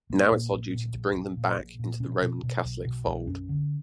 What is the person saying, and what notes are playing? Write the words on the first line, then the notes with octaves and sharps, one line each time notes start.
Now it's our duty to bring them back into the Roman Catholic fold.
A#1 A#3
A#2
A#1
A#2 B3
A#1
A#1
A#2
A#1
A#2
B2 C#4
B2
B2
B1
B2
B1
F#2 C#4
D3